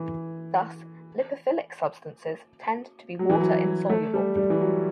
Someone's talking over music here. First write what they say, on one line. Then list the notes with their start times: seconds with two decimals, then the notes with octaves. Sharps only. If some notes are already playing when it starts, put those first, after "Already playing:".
Thus lipophilic substances tend to be water-insoluble.
Already playing: E3
3.19 F#3
3.29 E3
3.40 F#3
3.90 A3
4.14 G3
4.37 G3
4.50 E3
4.61 F#3